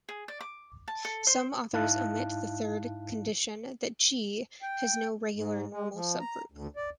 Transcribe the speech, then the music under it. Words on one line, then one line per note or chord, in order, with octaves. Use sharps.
Some authors omit the third condition that "G" has no regular normal subgroup.
G#4
D5
D6
A5
A4
C5
G#2 D#4 E4 F5 A5 F#6
G5
G#2
G#3
F3
A#5
D2
D5